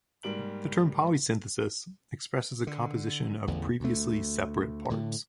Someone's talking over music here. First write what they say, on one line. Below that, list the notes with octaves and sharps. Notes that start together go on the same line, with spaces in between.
The term polysynthesis expresses a composition of previously separate parts.
G#2 G3 A#3 D7 F#7
D3
A1 E2 D3
D2 A3
A2 D3